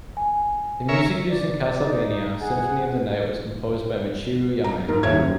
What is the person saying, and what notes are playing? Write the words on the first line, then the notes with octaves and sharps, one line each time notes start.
The music used in "Castlevania: Symphony of the Night" was composed by Michiru Yamane.
G#5
A#4 C#5 E5
D5
D#4
G#4 F#5
A#5
G#2 A#4
D#1 D#3 C#5 E5 G#6
F#2